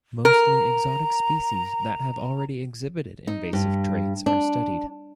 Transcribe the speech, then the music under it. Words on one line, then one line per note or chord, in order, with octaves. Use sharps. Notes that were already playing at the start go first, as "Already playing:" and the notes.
Mostly exotic species that have already exhibited invasive traits are studied.
A#4 A#5
D#4
G2
D4